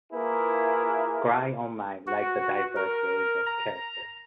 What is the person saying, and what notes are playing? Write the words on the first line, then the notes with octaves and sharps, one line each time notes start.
Gry Online liked the diverse range of characters.
A#3 E4 F4 G#4 A#4 B4
F#4
A#4
A#5